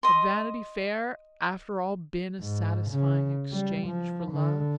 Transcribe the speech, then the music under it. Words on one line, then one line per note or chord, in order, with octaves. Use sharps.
Had Vanity Fair after all been a satisfying exchange for love?
D#5 C6
G#2
C#3
G3
F3
D3